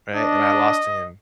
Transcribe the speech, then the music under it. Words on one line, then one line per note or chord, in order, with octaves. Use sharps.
Right? And I lost to him.
D4 D#5